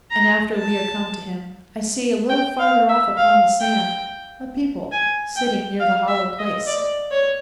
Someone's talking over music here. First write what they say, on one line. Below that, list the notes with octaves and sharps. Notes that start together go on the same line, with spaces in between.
And after we are come to him, I see A little farther off upon the sand A people sitting near the hollow place.
A#5
A5
G5
F5
E5
F5
G5
G#5
G5
F5
E5
D#5
D5
C#5